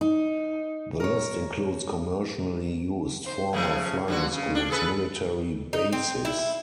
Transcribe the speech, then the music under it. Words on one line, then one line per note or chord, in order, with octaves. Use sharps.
The list includes commercially used, former, flying schools, military bases.
D#4
A#4 C#5
C5
C#3 F3 A3
G2 D3 F#4
C#3
D4
G#4 A4 B4
D#4
C4
E4